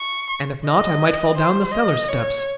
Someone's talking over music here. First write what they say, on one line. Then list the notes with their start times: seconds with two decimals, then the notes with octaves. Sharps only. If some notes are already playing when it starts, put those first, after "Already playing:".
And, if not, I might fall down the cellar steps.
Already playing: C#6
0.66 D#5
1.37 C5
1.72 D#5
2.09 C#5